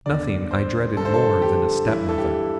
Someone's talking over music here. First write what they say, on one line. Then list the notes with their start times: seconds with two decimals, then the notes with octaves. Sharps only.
Nothing I dreaded more than a step-mother.
0.06 E2 D3 D5
0.51 C5
0.97 D3 A4
1.01 G2 C5
1.14 A4
1.42 G4
1.87 G2 E3 E4
2.09 A4
2.18 G4